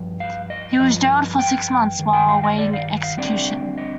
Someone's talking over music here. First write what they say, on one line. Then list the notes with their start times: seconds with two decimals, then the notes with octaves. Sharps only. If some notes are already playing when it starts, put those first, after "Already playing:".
He was jailed for six months while awaiting execution.
Already playing: G2 F3
0.20 F5
0.50 D#5
0.80 G2 F3 D#5
1.39 G5
1.99 G2 D#3
2.13 G5
2.28 F5
2.43 D#5
2.58 D5
2.73 F5
3.03 F5
3.17 D3 G3 C4 D5
3.78 D#5